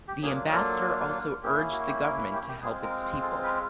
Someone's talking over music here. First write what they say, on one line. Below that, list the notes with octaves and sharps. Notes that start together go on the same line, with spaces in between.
The ambassador also urged the government to help its people.
G4
F#3 A#3 D4 F4 G#4
A4
A#3 C#4 E4 G4
G#4
F#4
G4
A#4
B4
G4
G4
G#3 C4 F4 G#4
A#4
A4
B4